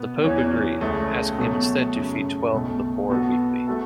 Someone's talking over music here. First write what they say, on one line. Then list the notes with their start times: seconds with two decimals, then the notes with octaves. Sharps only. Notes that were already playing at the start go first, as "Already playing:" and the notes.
The pope agreed, asking him instead to feed twelve of the poor weekly.
Already playing: B2 B3
0.24 E2 E3 C#4
0.81 C#2 C#3 A3
1.39 B2 F#3 A3
1.96 F#2 C#3 A3
2.53 B1 B2 A3
3.10 B2 B3 F#4 A4
3.67 A3 F#4 A4